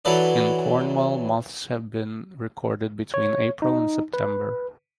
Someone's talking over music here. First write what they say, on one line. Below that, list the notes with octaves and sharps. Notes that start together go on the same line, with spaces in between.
In Cornwall moths have been recorded between April and September.
E3 F#3 A4 B4 D5
C#5
D#4
B4